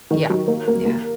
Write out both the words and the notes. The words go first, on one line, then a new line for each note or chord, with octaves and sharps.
Yeah. Yeah.
D#3
F#3
A#3
A#3
A#3